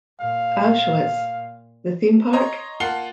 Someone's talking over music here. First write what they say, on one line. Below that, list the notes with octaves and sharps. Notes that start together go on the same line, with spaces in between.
Auschwitz: The Theme Park?
A#2 F5
C#5 D#5 A#5 C6
A#3 F4 F#5 A5 C7 G7